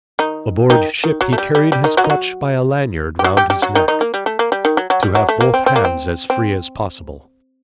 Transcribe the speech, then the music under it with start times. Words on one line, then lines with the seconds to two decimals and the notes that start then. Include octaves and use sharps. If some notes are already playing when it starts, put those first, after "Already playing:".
Aboard ship he carried his crutch by a lanyard round his neck, to have both hands as free as possible.
0.19 D#3 D#4
0.70 D#3 D#4
1.04 D#3
1.21 F#3
1.33 A3
1.38 G3
1.55 G3
1.72 G3
1.84 D#3 D#4
1.97 F#3 F#4
2.04 D#4
2.10 F#3 F#4
3.19 G4
3.24 F#3 F#4
3.37 G3 G4
3.50 G3 G4
3.62 F#3 F#4
3.75 D#3 D#4
3.88 D#3 D#4
4.01 A#3
4.14 G3
4.26 A3
4.39 A#3
4.52 G3
4.65 D#3
4.77 F#3
4.90 F#3
5.03 G3
5.15 F#3
5.29 A3
5.41 A#3
5.54 C4
5.66 C4
5.76 A#3
5.85 C4
6.30 C4